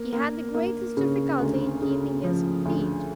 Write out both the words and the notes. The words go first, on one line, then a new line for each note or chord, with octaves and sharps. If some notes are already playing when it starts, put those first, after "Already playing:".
He had the greatest difficulty in keeping his feet.
Already playing: A#3
A#3
A#3
C#3
D2
C#3
F3
D2